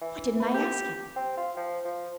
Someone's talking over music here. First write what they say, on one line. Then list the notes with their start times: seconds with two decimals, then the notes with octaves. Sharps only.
Why didn't I ask him!
0.01 E3
0.40 B4
0.54 G4
1.16 C4
1.37 F4
1.57 F3
1.85 F3